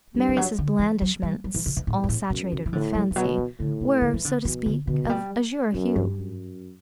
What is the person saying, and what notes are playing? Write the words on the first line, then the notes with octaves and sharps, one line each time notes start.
Marius' blandishments, all saturated with fancy, were, so to speak, of azure hue.
G2 G3
E3
F#3
D3
E3
F#3
G3
F#3
E3
C3
B2
E2 A2
G2
A2
F#2 B2
C3
E3
A2 D3
F#3
E3
B2 F#3
E3
A2 D3
C3
D3
E3
D3
B2 E3
D3
B2 D3
F#3
G3
F#2 F#3
G2
F#2